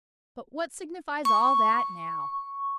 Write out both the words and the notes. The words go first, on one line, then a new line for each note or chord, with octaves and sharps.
But what signifies all that now?
C#6